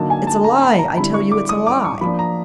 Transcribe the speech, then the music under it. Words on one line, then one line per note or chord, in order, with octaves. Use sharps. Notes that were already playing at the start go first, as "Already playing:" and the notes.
"It's a lie--I tell you it's a lie!"
Already playing: D3 F#3 A#3 D#4 A5
G#5
A5
A#5
B5
A#5
D3 G3 C4 E4 B5
C#6
D6
D#6
D6
C#6
F3 A#3 D4 B5
A#5